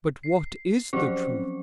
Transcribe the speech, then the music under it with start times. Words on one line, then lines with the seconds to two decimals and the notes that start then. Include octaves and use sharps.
"But what is the truth?"
0.23 C7
0.93 F3 F#3 C4 C#4 C5